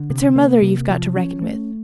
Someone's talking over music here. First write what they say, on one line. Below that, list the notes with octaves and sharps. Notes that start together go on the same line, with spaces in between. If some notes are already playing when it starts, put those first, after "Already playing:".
It's her mother you've got to reckon with.
Already playing: D3
C3
A#3
C3
F3
C#4
A3